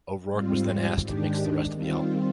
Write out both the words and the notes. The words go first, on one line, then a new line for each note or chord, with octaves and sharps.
O'Rourke was then asked to mix the rest of the album.
G#2 G3 C4 F4
G#2 D#3 G#3 D4 G4
D#3 G3 C4 F4